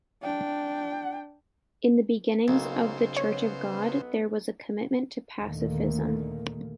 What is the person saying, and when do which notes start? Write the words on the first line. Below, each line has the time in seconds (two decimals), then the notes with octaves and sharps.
In the beginnings of the Church of God, there was a commitment to pacifism.
0.22 D4 G5
2.48 B1 C#3 A#3 C5
3.17 B3 C#5
5.40 D#2 A#2 D3 D#3 A3 A#3